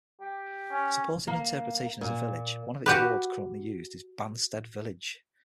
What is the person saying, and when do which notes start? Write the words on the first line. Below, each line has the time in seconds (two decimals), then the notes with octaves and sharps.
Supporting interpretation as a village, one of its wards currently used is "Banstead Village".
0.21 G4
0.71 C#4
1.27 A#3
2.01 A#2
2.86 F#4 G4 B4